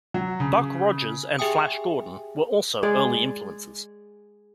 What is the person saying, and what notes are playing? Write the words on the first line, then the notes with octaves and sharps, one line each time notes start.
Buck Rogers and Flash Gordon were also early influences.
F#3
C#3
G4 G#4 E5 G5 G#5 D#6
G#3 G#4 D5